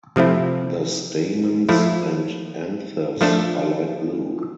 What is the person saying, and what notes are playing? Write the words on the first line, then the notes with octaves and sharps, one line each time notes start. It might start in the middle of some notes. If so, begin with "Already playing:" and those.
The stamens and anthers are light blue.
C3 F3 A3 C4 E4
F3 A3 E4
F3 A3 D4 A4